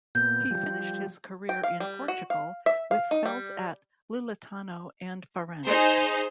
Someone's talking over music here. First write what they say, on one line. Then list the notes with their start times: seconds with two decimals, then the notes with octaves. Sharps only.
He finished his career in Portugal with spells at Louletano and Farense.
0.15 A#2 B3 G6
0.50 F3 G3
1.49 G5
1.63 F5
1.80 G3
2.08 F#4
2.30 F5
2.66 E5
2.91 F5
3.11 D#4
3.26 G3
5.65 D#4 G#4 C5